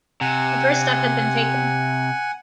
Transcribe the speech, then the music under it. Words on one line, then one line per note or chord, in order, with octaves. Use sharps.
The first step had been taken.
C3 F#5 G#5